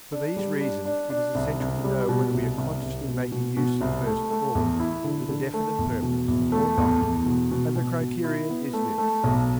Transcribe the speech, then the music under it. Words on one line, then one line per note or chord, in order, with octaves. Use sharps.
For these reasons it is essential to know whether we are consciously making use of first cause with a definite purpose or not, and the criterion is this.
D4
G3
D4
D4
D4
C2
C2
G3
B2
C2
C2
C2
B2
B2
B2
C2
A3
A3
E2
E4
D3
D3
A3
E2
B2
E2
A3
E2
E2
B2
B2
B2
B2
E4
B3
A3
A3
B1